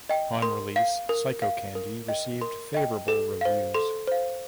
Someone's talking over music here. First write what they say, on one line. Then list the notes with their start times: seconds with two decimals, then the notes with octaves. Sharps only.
On release "Psychocandy" received favourable reviews.
0.09 D#5 G5
0.42 A#4 C6
0.76 F5
1.09 A#4
1.42 F5
1.75 A#4
2.08 D#5 G5
2.41 A#4 C6
2.74 D#5 G5
3.08 A4
3.41 C5 F5
3.74 A4 C6
4.07 C5 F5